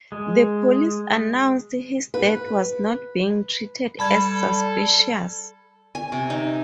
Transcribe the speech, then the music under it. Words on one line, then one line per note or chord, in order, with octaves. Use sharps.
The police announced his death was not being treated as suspicious.
G#3
B4
G3 A4 B5 G#6
G#5
C3
D#4